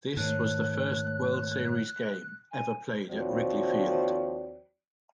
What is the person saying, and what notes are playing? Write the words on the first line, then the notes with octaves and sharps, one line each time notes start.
This was the first World Series game ever played at Wrigley Field.
G#2 D#3 A3 C#5 F#6
G#5
D#2 F3 C4 F#4 C#5 D5